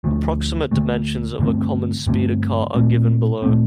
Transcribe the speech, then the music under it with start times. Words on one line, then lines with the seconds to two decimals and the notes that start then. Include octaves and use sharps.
Approximate dimensions of a common speeder car are given below.
0.04 D2 D3 F3 A3
0.71 D2 D3 F3 A3
1.39 G2 D3 A3 C4
2.07 G2 D3 A3 C4
2.75 A#2 A3 C4
3.42 A#2 A3 C4